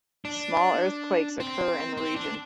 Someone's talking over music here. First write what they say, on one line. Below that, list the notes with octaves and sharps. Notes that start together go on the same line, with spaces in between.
Small earthquakes occur in the region.
D4
C4
C4
D4